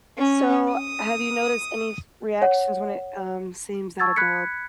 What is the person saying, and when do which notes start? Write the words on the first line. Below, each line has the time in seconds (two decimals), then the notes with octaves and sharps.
So have you noticed any th reactions when it, um, seems that a dog
0.16 C#4
0.72 D#6
2.42 C#5 F#5
4.00 A5 C#6 E6 G#6 A6
4.16 B5 F#6 G#6 B6 C#7